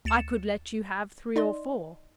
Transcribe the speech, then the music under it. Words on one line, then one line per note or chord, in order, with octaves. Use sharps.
I could let you have three or four.
D2 A6 C#7 E7
D#4 D5 D#5 C6